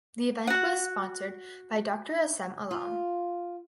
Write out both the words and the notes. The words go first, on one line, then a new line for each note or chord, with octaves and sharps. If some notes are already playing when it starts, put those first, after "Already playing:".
The event was sponsored by Dr Assem Allam.
F#4 F#5
F4